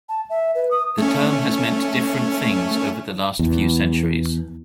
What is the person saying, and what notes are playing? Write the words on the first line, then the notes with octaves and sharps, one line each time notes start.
The term has meant different things over the last few centuries.
A5
E5
B4
D#6
A3 C#4
E2